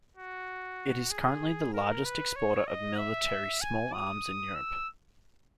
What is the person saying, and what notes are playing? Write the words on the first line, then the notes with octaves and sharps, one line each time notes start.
It is currently the largest exporter of military small arms in Europe.
F#4
G#4
A#4
B4
C#5
D#5
E5
G#5
D#6
E6